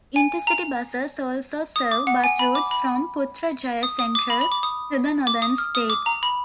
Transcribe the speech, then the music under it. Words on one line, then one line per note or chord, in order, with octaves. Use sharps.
Intercity buses also serve bus routes from Putrajaya Sentral to the northern states.
G#5
A#5
D#6
D6
F#5
G#5
B5
D6
B5
D#6
D#6
D6
B5
B5
D6
D#6
D6
D#6
F6
D#6
D6
A#5
B5